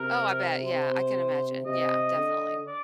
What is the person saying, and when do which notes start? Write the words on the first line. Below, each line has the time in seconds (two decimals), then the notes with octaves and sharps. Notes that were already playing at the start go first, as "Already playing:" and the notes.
Oh, I bet, yeah, I can imagine, yeah, definitely.
Already playing: C3 A#4
0.65 C5
1.66 C3 D#5
2.17 D3
2.68 D5